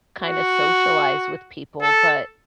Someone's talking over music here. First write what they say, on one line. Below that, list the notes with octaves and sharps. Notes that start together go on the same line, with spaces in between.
kind of socialize with people, but
F#4
A4